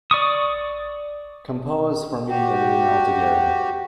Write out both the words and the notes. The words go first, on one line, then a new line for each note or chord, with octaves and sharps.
Compose for me an email to Gary.
D5 C#6 D#6
F#4 G4